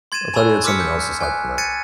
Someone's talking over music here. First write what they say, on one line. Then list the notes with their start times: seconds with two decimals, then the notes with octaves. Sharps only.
I thought he had something else aside from that.
0.12 C6 G#6 A6 D#7 E7
0.34 G#5 A5 B5 C#6 E6 F#6
0.64 C6 D6 E6 F6 B6 C#7
0.80 G6
1.21 G#5 F#6
1.58 F#6 G#6 A6 B6 C#7 D#7